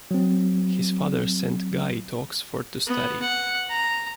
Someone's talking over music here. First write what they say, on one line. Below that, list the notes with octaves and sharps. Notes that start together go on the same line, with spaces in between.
His father sent Ghai to Oxford to study.
F#3 C4
B3
F#5
A#5